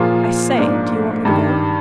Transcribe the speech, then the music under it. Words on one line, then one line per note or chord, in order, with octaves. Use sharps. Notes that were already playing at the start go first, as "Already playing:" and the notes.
"I say--do you want me to go?"
Already playing: A#2 F3 A#3 F4 G#4
G#2 F3 A#3 D4
G2 D#3 G3